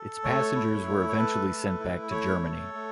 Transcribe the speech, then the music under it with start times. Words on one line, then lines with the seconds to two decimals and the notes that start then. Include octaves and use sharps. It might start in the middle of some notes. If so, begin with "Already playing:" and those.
Its passengers were eventually sent back to Germany.
Already playing: A4
0.24 A3 C#5
0.55 E4
0.87 A3
1.09 C#5
1.18 A4 B4
1.49 A3
1.80 E4
2.11 A3 C#5
2.43 A4
2.74 A3